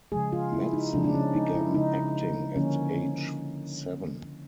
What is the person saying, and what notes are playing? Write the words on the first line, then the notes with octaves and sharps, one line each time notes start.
Mattson began acting at age seven.
C#3 F3 G#3 G#4
F4
E4
D#4
C#3 F3 G#3 D4
D4
C#4
D#4
E4
C#3 F3 G#3 D#4
D3 F3 A#3 C#4